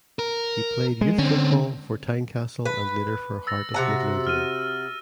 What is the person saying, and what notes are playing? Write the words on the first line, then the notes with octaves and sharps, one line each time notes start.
He played youth football for Tynecastle and later for Heart of Midlothian.
A#4
G#3
D3 C4 C#4
B4
E6 A6 A#6
C3 F#4 A#5
F6 D#7